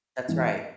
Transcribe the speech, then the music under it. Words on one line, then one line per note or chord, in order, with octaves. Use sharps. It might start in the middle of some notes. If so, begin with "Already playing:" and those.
That's right.
E3